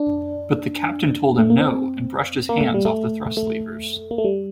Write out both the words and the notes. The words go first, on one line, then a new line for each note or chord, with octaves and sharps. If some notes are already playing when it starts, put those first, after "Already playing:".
But the Captain told him no and brushed his hands off the thrust levers.
Already playing: D4
A3
A#3
C4
A#3
A3
G3
A3
A3
A#3
A3
G3